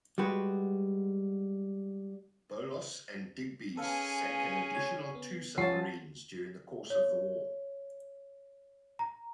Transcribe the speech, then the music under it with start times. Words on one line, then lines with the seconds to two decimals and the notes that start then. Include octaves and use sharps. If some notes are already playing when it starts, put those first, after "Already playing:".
Bolos and Digbys sank an additional two submarines during the course of the war.
0.18 G3 G#3 F#4 B4
3.77 C#4 G#4 A4 B4 F5
4.75 C#5 G#5
5.15 B3
5.58 F3 C#4 F4 C#5 F#5 A5
6.90 C#5
8.99 A#5